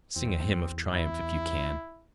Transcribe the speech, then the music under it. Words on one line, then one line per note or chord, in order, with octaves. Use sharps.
Sing a hymn of triumph if you can....
E2 C4
E4